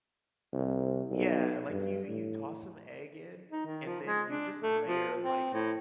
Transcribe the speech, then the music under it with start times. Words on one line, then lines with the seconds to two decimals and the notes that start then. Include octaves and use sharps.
Yeah, like, you you toss some egg in, and then you just layer, like,
0.53 C2
1.11 B1
1.70 G2
2.08 A2
3.52 D#4
3.66 D#3
3.86 F3
4.07 G#3
4.28 D4
4.63 A3
4.87 F3
5.24 C4
5.54 A2